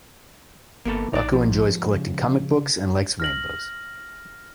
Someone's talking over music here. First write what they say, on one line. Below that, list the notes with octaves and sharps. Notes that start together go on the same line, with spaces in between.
Rocko enjoys collecting comic books and likes rainbows.
G1 A#3 B3 A4
A#1 D#4 D5
G#2 F3
C#3
F6 A#6 F#7